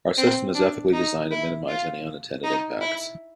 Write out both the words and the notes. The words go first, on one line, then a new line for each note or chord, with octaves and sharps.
Our system is ethically designed to minimize any unintended impacts.
C4
D4
D#4
E4
F4
D#4
E4